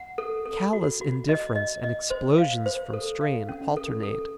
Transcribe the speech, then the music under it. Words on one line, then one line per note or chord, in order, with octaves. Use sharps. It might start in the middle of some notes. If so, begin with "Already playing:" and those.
Callous indifference and explosions from strain alternate.
Already playing: F#5
A4
A4
F#4
F#4
D#5
D#5
D#5
C5
F5
C5
A4
F5
C#4
A4
A4